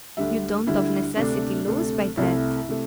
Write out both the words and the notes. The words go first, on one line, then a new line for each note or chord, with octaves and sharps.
"You don't of necessity lose by that."
D2 D3 G3 E5
D2 D3 G3 E4
D2 C3 A3 D4
D2 C3 A3
C2 C3 A3 E4
C3 A3